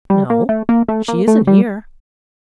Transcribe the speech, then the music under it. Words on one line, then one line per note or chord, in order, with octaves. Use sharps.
"No; she isn't here."
G3
A#3
A3
A#3
A3
A#3
A3
G3